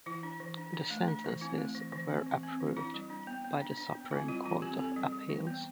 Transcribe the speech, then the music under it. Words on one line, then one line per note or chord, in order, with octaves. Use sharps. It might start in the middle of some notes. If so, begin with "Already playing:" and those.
The sentences were approved by the Supreme Court of Appeals.
E3 E4
D4
E3
D4
D4
A3
D4
E3
C4 E4
A3
E3
E3
C4
E3
C4
E3
D4 E4
G3
D4
B3
B3
D4
D4
B3
C4 E4
G3 F4
E3 F4
C4 G4
C4 A4
G3
G3
E3
B3